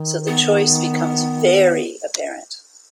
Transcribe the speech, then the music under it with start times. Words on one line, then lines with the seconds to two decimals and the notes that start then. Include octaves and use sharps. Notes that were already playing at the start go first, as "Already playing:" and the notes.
So the choice becomes very apparent.
Already playing: D#3
0.27 B3